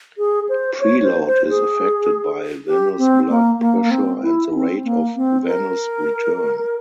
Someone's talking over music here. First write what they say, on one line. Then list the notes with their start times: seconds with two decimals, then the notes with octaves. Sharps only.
Preload is affected by venous blood pressure and the rate of venous return.
0.18 G#4
0.49 C5
0.80 C#5
1.03 C5
1.26 C5
1.50 G#4
2.67 G4
2.98 C4
3.29 A#3
3.59 A#3
3.82 A#3
3.91 C4
4.22 E4
4.54 C4
4.84 A#3
5.16 C4
5.47 A#4